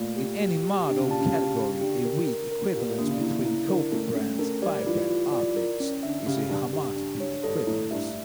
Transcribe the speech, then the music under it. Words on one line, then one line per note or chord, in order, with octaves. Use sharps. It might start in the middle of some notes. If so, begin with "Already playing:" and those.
In any model category, a weak equivalence between cofibrant-fibrant objects is a homotopy equivalence.
Already playing: A#2 A3
G4
G4
G4
D3 G4
C#3
A#2 A5
C#3
G4
G4
D3 G4
A#4
A#4
A#4
A#2 G4
D3 A#3
C#3
D3
E4
E4
D3 A#4
A3 C#4
A3 C#4
A3 A#4
G3 D5
E3 F4
F4
D5
A#4
C#4
D3 E5
C#3 G4
G2 D4
G4
D4
C#5
G2 A4
A2 E4
G2 E5